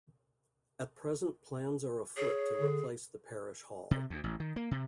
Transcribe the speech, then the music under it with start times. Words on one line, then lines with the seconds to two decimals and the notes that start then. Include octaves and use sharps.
At present plans are afoot to replace the parish hall.
2.17 G#4 C#5
2.61 D3
3.91 C3
4.10 D2
4.24 A1
4.40 D#3
4.56 A#3
4.71 C3